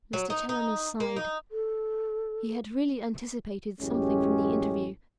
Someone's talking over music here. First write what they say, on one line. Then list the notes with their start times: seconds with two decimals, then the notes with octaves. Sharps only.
Mr. Challoner sighed; he had really anticipated something from the interview.
0.13 F#3
0.30 D#4
0.49 D#4
1.00 A#3
1.16 D#4
1.52 A4
3.80 A1 F#2 G#3 C#4 G4